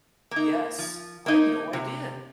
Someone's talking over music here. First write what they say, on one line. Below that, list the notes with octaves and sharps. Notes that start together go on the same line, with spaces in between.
Yes, I'd no idea.
A#3 D#4
F3
A#3 D#4
C3